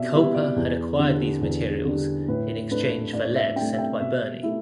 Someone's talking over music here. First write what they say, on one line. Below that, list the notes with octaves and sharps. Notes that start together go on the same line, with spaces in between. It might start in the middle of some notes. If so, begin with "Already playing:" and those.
Culper had acquired these materials in exchange for lead sent by Birnie.
Already playing: B2 D5 E5
G3 B3 E4 E5
D5
E2
D3 G3 D4
E2
D3 G3 D4
A2 B4
A3 D4 B4
A2 D5
E5
D4 G5
A3
E5
G5
B2 E5
A3 E4 E5